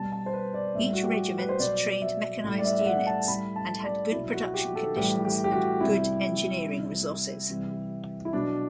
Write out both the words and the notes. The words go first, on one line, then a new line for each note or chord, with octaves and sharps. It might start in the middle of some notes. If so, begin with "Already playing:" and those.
Each regiment trained mechanized units, and had good production conditions and good engineering resources.
Already playing: B2 G3 A5
A5
C5
B4
D5
A2 G3 E5
F#4
G4
B4
C5
B2 F#3 D5
E5
A2 G3
D5
E5
E5
F#5
A5
A2 G3 B5
A5
D5
B2 F#3 E4
F#4
G4
A4
A2 E3 G3 G4
G4
G4
F#4
C3 G3 E4
C3 G3
C3 E3 G3
E4
B2 F#3 D4